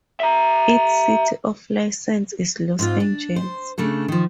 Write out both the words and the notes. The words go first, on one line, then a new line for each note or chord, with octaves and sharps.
Its city of license is Los Angeles.
E5 A#5
G#2 C4 F4
D4
C5
C#3 A3 D4 A4
D#3 F3